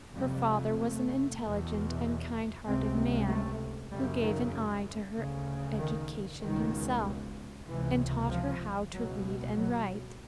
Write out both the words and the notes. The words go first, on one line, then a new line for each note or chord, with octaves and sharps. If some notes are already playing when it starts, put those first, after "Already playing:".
Her father was an intelligent and kind-hearted man who gave an eye to her education himself, and taught her how to read and write.
F2 C3 G3
A3
E2 B2
C#2 C3 C4
A3
F#2 C#3 G3
D#3
D2 C#3
D#3
C#2 B2 D#3
C#2 C3 E3
F3
C#2 B2 F#3
F#3